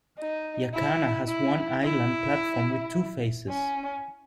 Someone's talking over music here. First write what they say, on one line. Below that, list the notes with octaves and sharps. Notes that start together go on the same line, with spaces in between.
Jacana has one island platform with two faces.
D#4
E4
E4
E4
C#4